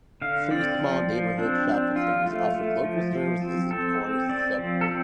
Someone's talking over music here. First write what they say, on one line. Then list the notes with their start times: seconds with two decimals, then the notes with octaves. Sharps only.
Three small neighbourhood shopping centres offer local services in the corners of the suburb.
0.22 D3 F5
0.51 C4 D5
0.80 F3
1.09 F3
1.38 C4 D4
1.67 C4
1.96 F3 F4
2.26 A3 F4
2.54 A3
2.84 F3
3.13 F3
3.42 C4
3.71 C4 A4
4.01 C4
4.29 C4 D5
4.59 F3
4.81 A4
4.88 C4